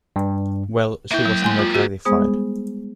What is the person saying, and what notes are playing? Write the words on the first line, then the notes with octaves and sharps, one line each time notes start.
Well, she was never gratified.
G2
A#3 E4 E5 G5
F#3
G#3 G#5 C6
F4
F#4 G#4
G3 G#3 B3 G#4 C5 D#6